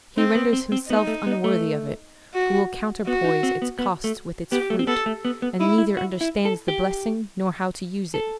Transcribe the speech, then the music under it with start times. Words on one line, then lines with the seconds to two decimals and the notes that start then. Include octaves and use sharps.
He renders himself unworthy of it who will counterpoise its cost with its fruit, and neither understands the blessing nor how to use it.
0.17 C4 D#4
0.35 B3
0.53 C4
0.72 C4
0.89 B3 D#4
1.07 A3
1.27 B3
1.44 A3
2.34 F#4
3.07 B3 F#4
3.24 D#4
3.43 C4
3.62 B3
3.79 B3
4.04 A3
4.52 B3 G4
4.70 A3
4.79 C4
4.87 B3 A4
5.06 A3
5.25 B3
5.42 B3
5.60 D#4 E4
5.78 E4
5.97 F#4
6.21 E4
6.45 A4
6.68 G4
8.14 A4